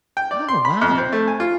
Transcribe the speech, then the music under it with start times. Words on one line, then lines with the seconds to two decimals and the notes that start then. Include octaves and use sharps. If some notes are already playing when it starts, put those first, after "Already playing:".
Oh, wow.
0.17 G5
0.31 D5
0.49 C6
0.65 B5
0.81 F2
0.98 C4
1.13 A3
1.28 G#5
1.40 F4